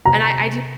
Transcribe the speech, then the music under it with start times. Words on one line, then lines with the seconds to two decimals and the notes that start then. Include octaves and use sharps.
And I I do
0.05 C3 A#5